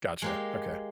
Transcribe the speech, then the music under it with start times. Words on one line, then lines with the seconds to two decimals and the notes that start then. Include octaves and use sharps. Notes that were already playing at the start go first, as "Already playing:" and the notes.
Gotcha, okay.
0.22 G#3 A#3 G4